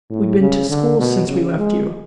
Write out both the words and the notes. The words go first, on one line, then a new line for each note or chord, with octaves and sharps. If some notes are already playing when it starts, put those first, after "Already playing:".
"We've been to school since we left you."
A2
C#3
D3
B2
C#3
G#3